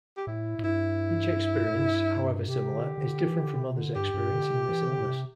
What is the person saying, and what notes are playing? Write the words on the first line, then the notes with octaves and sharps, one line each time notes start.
Each experience, however similar, is different from others experiencing this illness.
G4
A2 E4
A2
G2 E4
A2
G2
C3 G4
D3
D3
E3
D3
C3
D3
G2 G4
G2
D3
C3
E3
D3
A2
C3